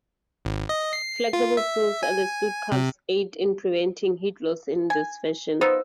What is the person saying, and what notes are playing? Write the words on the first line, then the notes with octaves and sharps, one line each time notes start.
Flexible seals at the suit cuffs aid in preventing heat loss in this fashion.
G#1
D#5
C7
F4
E5
G#5
C3
G#5
B3 D#4 F4 C5 E6